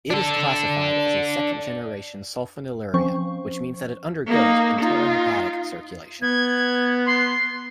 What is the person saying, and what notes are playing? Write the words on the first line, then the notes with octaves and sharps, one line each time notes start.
It is classified as a second-generation sulfonylurea, which means that it undergoes enterohepatic circulation.
D4 A4
F3 C4 C#4 C5 C#6
A#3 D#4
D#4 F4
B3 G#6
C6